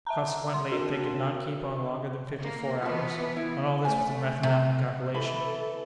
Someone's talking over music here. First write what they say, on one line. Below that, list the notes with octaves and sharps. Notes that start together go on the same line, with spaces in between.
Consequently, they could not keep on longer than fifty-four hours--and all this was a mathematical calculation!
E5 A5 A#5
C6
A#3 C4 D4 F#4
A#3
E3 B3 F4 A5
E4
A3 C#4 C5 G#5
C3
E3 A4 B5